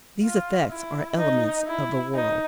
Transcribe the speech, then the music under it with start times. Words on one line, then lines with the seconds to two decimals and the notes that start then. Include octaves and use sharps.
These effects are elements of the world.
0.23 F4
0.70 E4
1.18 D#4
1.67 E4
2.14 D#4